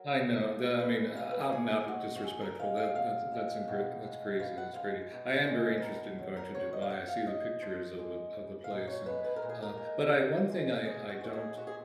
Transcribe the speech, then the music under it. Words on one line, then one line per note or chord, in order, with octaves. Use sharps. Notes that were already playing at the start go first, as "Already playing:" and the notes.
I know, the I mean, ou out and out disrespectful, that that's in that's incorrect, that's crazy, it's crazy I am very interested in going to Dubai, I see the pictures of of of the place, and, uh but I one thing I I don't
Already playing: F#3 A#4
C#3
F3
G#3 B4
C#3 F5
B4
A#4
C#3 G#4
G#3 F#4
F#4
C#3 G#4
A#4
G#3 F5
F5
B2 F5
G#3
B2
G#3
B2 F5
F#5
G#3 F5
B2
G#3
B4
B2 A#4
F#3
A#4
B2 C#5
D#5
F5
F#3 F#5
F5
C#3 D#5
F3
G#3
C#3
F5
A#2 D#5
C#5
G#3 B4
B4
A#4
A#2
G#4
A#4
G#3
B2
G#3
B2 G#4
F#4
G#3 F#4
G#4
A#2 F#4
G#4